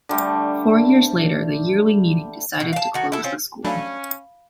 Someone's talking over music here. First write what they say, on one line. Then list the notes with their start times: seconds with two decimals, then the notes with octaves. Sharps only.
Four years later the Yearly Meeting decided to close the school.
0.09 D3 G3 A3
2.60 B2
2.73 F5 A5
2.94 D#3 F#4
3.12 E4 A4
3.24 C4 C#4 F4
3.65 F#3 A3 C#4 D4 F5 B5